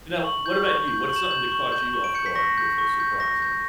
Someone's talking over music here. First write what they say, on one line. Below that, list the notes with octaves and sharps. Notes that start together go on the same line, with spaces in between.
So now, what about you? What's something that caught you off guard with a surprise ending?
C#6 F#7
G6
C#6
G6
C#6 F#7
E7
F#7
G6
C#6
G6
C#6
D7
G6 C#7
B6
C#6 A#6
G6
C#6
G6
C#6 A#6
G6